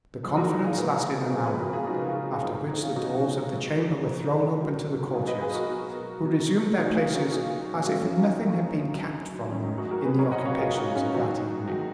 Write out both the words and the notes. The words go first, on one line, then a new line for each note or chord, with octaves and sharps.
The conference lasted an hour; after which the doors of the chamber were thrown open to the courtiers, who resumed their places as if nothing had been kept from them in the occupations of that evening.
A#2 F3 G#3
F#4 A#4
D#4 F#4
F4 G#4
A#2 F3 G#3 G#4 B4
F2 C#3 F3 G#3
G#4 B4
F#4 A#4
F4 G#4
F2 C#3 F3 G#3 D#4 F#4
F4 G#4
G#2 F3 G#3 D#4
D#4
D#4
C#4 F4
G#2 F3 G#3 D#4 F#4
G#2 F3 G#3
G#2 F3 G#3
G#2 F#3
G#2 F#3 F4 G#4
B4 D#5
G#4 B4
F#4 A#4
B2 F#3
B2 F#3
A#2 F#3 D#4 F#4
F4 G#4
C#4 F4
A#2 F#3 D#4 F#4
F#4
F#2 D#3 F#3 C#4 F4
C#4
D#4
F#2 D#3 F#3 D#4
D#4
F#2 D#3 F#3
F#2 D#3 F#3 C#4
D#4
D#4 F#4
F#4 A#4
G#2 F#3 G#4 B4
A#4 C#5
D#5 F#5
C#5 F5
G#2 F#3 F4 G#4
D#4 F#4
C#4 F4
F#2 D#3 G#3 D#4 F#4
D#3 G#3 D#4 F#4